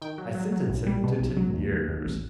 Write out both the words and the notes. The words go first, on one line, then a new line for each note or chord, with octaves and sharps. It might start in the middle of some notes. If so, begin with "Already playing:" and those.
I sentenced him to ten years.
D#3 G5
F#3
F#3
F#3
B1
G3
B2
B1
F#3
D#2
D#2
D#2
A1